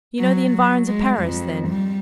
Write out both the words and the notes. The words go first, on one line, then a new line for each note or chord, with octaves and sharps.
"You know the environs of Paris, then?"
F#3
F#3
G#3
F2
G3